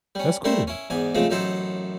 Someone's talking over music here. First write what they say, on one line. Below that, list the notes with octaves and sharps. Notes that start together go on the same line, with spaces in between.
That's cool.
G3 C#4
G3 A3 E4 A#4 C5
C#4 E4
E2 G#2 G#5 D6
C#3 F3 G#3 A3 C4
A1 F#2 D#4 E4 A4 C5